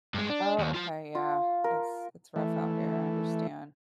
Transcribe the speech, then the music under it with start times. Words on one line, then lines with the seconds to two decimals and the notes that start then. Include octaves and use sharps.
Oh, okay, yeah. It's it's rough out here, I understand.
0.14 G2 G#3
0.30 D4
0.58 D#2
0.74 F4 A5
1.15 F4
1.64 A#4
2.36 E3 A3